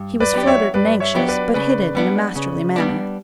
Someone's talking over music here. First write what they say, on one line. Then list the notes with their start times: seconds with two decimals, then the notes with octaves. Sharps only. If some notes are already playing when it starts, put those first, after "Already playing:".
He was fluttered and anxious, but hid it in a masterly manner.
Already playing: G2
0.20 B4 D5
0.34 F#3 B3 D4 G4
0.43 D5
0.47 C#5 E5
0.74 G2 B4 D5
1.00 C#5 E5
1.14 F#3 B3 D4 G4
1.28 B4 D5
1.54 C#3 B4 D5
1.95 G3 B3 D4
2.36 C#3
2.76 G3 B3 D4